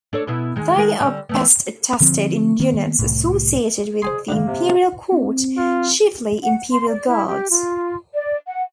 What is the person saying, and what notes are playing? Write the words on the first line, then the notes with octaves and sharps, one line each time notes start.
They are best attested in units associated with the imperial court, chiefly imperial guards.
D4 A4 C#5
B2 B3 E4
D#3 G#3
D#3 G#3 A#4
D3 G3
E3 A3 B3
D3 F3 C4
D#3 A#3 B3
C2 A2
G#4 C5 G#5 C6
G2 D3 E3 A#3
C3
C4
F4
F#5
C6
D5
E4
G4
F4
D5
F#5